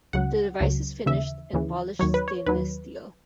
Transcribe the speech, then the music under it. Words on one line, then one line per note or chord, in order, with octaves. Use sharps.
The device is finished in polished stainless steel.
C#2 C#3 F#3 F#5
C#2 C#3 F#3
D#2 C#3 E3 E5
D#2 C#3 E3
D#2 D#3 F#3 C#5
B4
C#5
D#2 D#3 F#3 B4